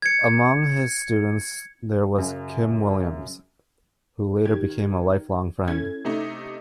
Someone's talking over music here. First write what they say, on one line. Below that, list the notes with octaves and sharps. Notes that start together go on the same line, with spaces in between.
Among his students there was Kim Williams who later became a lifelong friend.
G#6 C#7
F#2 C#3
D#3 G4 G#6
C#4 E4 A4 G#6
C3 A3 D#4